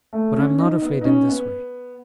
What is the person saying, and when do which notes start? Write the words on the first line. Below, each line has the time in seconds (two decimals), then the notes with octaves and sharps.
But I'm not afraid in this way.
0.13 A3
0.36 C#4
0.47 C#4
0.59 D#4
0.82 B3
1.01 D#4
1.05 C#4
1.29 B3